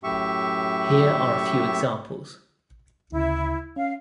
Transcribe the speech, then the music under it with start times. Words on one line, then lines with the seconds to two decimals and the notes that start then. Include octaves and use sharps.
Here are a few examples.
0.03 F#2 A2 G4 E5 C#6
3.12 D2 C#3 E4
3.76 C#4 F5